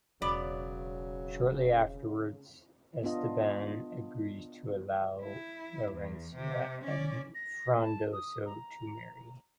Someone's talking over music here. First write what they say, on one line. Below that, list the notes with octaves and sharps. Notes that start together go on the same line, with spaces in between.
Shortly afterwards, Esteban agrees to allow Laurencia and Frondoso to marry.
E1 C#3 F#3 B3 D5
B3 D4 F4 D#5
E4
E2
C3
C#4 D5
A#6
A5
D#6
A#5